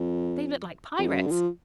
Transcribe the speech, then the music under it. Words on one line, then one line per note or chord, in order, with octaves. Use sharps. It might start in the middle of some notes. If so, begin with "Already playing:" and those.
"They look like pirates."
Already playing: F2
F2
F#2
D3
F3